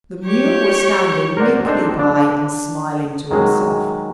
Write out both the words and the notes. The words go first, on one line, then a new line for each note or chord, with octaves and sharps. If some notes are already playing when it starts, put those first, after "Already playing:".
The mule was standing meekly by and smiling to himself.
G4 C#5
A#4 C5 D5 F#5
C4 D4 D#4 A4 C5
D4
D#3 F#3 G#3